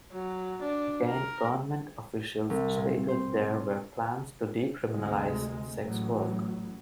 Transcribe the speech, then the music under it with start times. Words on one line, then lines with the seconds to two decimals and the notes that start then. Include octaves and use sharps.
Again government officials stated there were plans to decriminalise sex work.
0.12 F#3
0.62 D4
1.08 A#4
2.50 C2
2.76 A#2
3.08 C5
4.93 D2 C3 G#3
5.80 A1 A2 F#3